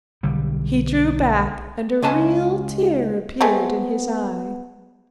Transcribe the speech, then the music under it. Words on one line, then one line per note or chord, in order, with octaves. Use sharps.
He drew back and a real tear appeared in his eye.
B1 D3 G3
C#2 C#4 G#5 A5
G#3 A3 B3 C4